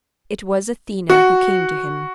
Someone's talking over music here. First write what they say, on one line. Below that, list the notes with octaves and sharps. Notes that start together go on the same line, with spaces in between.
It was Athena who came to him.
F#4